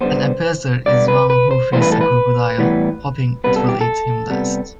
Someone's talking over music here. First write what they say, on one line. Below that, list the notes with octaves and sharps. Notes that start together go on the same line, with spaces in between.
An appeaser is one who feeds a crocodile – hoping it will eat him last.
D3 G3 B3 C5
D3 G3 B3 D5
B4
B4
C5
A2 E3 G3 B3 C5
B4
A4
B4
A2 E3 G3 B3
C3 G3 B3 B4
A4
G4
A4
C3 G3 B3